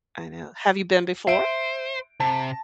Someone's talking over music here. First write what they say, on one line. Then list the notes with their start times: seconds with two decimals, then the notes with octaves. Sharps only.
I know. Have you been before?
1.27 C5 E5 D7
2.20 C3 A5